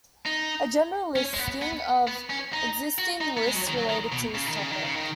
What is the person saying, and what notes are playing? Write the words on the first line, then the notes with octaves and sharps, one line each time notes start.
A general listing of existing lists related to this topic.
D#4
C#4
G#3
B3
B3
B3
C#4
D#4
F#4
D#4
B3
G#3
F#3
D#3
F#3
D#3
B2
C#3
D#3
C#3
D#3
C#3
D#3